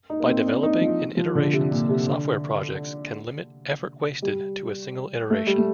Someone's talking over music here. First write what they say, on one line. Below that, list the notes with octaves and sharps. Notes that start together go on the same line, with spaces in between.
By developing in iterations, software projects can limit effort wasted to a single iteration.
D#4
A#3
C4
D4
D#4
F3
F3
D3
C3
A#2
C3
D3
G3
A3
G3
A3